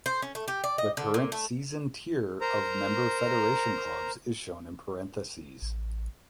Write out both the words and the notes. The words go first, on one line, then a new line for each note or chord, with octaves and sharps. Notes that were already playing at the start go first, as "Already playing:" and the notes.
The current season tier of member federation clubs is shown in parentheses.
C5
C#4
A3
G4
D5
D#5
D3
A#2
A3
A#4 C5 A#5
A1